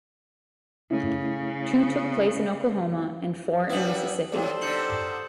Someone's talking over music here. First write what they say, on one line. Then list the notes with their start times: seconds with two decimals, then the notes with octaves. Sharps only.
Two took place in Oklahoma and four in Mississippi.
0.91 C#3 A3 C#4 E4
3.69 F#2 G3 B3 E4 D#6 F#7
4.32 D#2 A2 G3 A4 C5
4.61 D3 D#4 G6 C#7 F#7